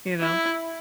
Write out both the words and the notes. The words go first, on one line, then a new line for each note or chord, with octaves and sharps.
You know?
E4